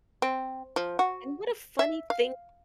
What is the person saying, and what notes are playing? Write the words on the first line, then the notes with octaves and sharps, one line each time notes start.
And, and what a funny thing to
C4
F3
F#4
E5
F5